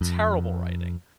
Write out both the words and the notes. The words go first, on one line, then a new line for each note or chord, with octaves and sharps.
Terrible writing.
F2